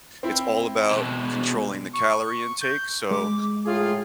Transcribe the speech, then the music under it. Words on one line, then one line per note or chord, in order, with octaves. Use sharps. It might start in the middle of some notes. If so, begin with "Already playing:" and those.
It's all about controlling the calorie intake, so
C4 E4
B2 G#3
C#6
G6
G#3 D6
A2 F4 G#4